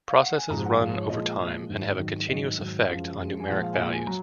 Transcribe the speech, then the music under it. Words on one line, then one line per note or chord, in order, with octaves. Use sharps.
Processes run over time and have a continuous effect on numeric values.
F5
F#5
G#5
G#2 F3 G#3 A#5
F#5
G#2 F3 G#3 F5
C#5
A#2 F3 G#3 D#5
A#2 F3 G#3
G#2 D#3 F#3
G#2 D#3 F#3
G#2 D#3 F#3 D#5
G#2 D#3 F#3
F#5
F#2 F3 G#3 F5
F#2 F3 G#3
G#5
A#2 F3 G#3 F#5
F5
G#5
A#2 F3 G#3 F#5
G#5
F#3 A#5